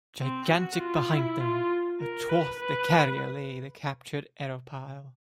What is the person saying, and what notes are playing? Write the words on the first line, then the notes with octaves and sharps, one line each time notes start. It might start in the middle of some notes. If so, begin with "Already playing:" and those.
Gigantic behind them, athwart the carrier lay the captured aeropile.
C4
F#4
F4
E4
F4
A#4
B4
B4